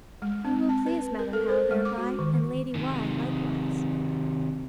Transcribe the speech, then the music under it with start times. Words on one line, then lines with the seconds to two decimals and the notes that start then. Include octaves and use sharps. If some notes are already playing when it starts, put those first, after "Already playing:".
You will please Madam How thereby, and Lady Why likewise.
0.22 G#3
0.45 C4
0.69 A5
0.86 B4
1.19 A#4
1.33 A4
1.49 C5
1.71 G#3
1.85 D6
1.98 F#4
2.19 D#3
2.75 C3 D#3